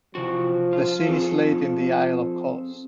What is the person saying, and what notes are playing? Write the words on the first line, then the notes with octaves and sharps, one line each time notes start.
The scene is laid in the isle of Kos.
C3 E3 F3 F#4
F4
C4 G#4 A4